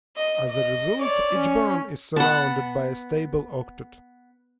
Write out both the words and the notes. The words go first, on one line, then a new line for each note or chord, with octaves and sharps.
As a result, each boron is surrounded by a stable octet.
D#5
D#5
C#5 D5
C#4
B3 F#5 A5